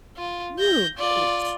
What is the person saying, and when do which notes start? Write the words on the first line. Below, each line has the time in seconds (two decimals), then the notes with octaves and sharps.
Ooh, nice.
0.17 F4
0.59 G6 A#6
0.97 F4 D5